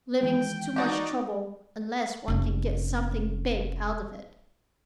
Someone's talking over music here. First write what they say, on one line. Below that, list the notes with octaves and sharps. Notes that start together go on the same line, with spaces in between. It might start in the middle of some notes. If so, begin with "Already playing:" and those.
"Living's too much trouble unless one can get something big out of it."
D#3 E3 G#3 G5
D4 D#4 F#4 G4 D5
F1 C#4